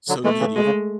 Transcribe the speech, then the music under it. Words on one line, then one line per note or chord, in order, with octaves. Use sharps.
so needy.
D3 F#3
E3 G#3 A3
C#3 E3
B2 G#3
C#3